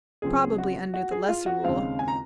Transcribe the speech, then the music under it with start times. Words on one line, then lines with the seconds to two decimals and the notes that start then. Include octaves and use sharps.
"Probably under the Lesser Rule."
0.22 C#2 C#3 F#3 C4 G#4
0.58 F#4
0.94 F#4
1.11 G#4
1.28 F4
1.46 F#4
1.64 D#2 C#3 G#3 C4 F5
1.99 G#5
2.08 A#5